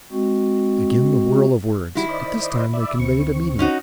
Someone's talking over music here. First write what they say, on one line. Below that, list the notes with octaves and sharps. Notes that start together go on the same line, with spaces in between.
Again the whirl of words, but this time they conveyed a meaning.
G#3 C4 F#4
D#3 G3 E4 F#4
C5 D5 D#5
D5 E5
D2 C4 C#6
C#4 D#4 F#4